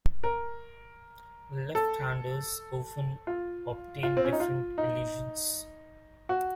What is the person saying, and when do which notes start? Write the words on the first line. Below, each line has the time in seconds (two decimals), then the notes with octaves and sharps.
Left-handers often obtain different illusions.
0.24 A#4
1.75 A4
3.27 F4
4.03 F4
4.17 C4
4.25 C#4
4.32 D#4
4.40 F4
4.78 D#4
6.29 F#4